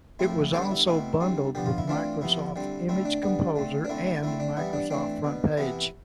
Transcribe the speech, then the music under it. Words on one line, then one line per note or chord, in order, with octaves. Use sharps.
It was also bundled with Microsoft Image Composer and Microsoft FrontPage.
A2 F3 C4 E4
D3 G3 B3 A4 C5
D4
E4
B2 A3 C4 E4
D3 G3 C4
D3 F3 B3 G4
F4
E4
E3 A3 C4 D4 F4
C3 F3 B3 E4
D3 G3 C4
D3 A3 C4 E4
D4
D3 G3 B3
D3 A3 C4
D4
D3 A3 C4 E4
E4
D3 A3 C4 E4
D4
E3 G3 B3 E4
D4
E3 A3 C4 D4
B2 B3
C3 E3 B3 E4